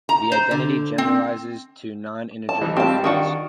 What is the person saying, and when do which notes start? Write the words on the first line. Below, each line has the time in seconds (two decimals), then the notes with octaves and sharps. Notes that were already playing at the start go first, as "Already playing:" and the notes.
The identity generalizes to non-integer arguments.
0.09 A#5
0.32 C5
0.51 D3
0.98 C4
2.49 A5
2.61 E3 G3 D#4
2.77 G3 C4 F4 G4 A5
3.04 D#3 D4 F#4 F#5